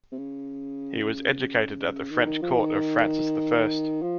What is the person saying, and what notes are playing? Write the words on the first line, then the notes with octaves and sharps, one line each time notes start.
He was educated at the French court of Francis I.
C3
C#3
D#3
D#3
F3
D#3
F3